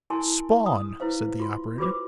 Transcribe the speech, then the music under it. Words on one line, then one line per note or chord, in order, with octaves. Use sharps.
"Spawn," said the operator.
E4 A#4 G#5 A5 C6
D#6
E4 B4 C5 F5
F4 C6
F4 F#4 G#4 B4 C5 D6